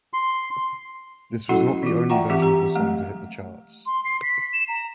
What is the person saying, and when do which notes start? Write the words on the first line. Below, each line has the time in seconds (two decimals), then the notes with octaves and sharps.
This was not the only version of the song to hit the charts.
0.13 C6
1.49 F#3 C#4 E4 F#4 A4 F#5
1.83 E3 F4
2.09 D5 E5 F#5 G5 A#5 C#6
2.29 E3 C4 G4 E5 F#5 D6
2.42 G4 A#5
2.75 F#3 G#3 A3 F5
3.86 C6
4.05 C7
4.23 B6
4.54 E7
4.68 A#5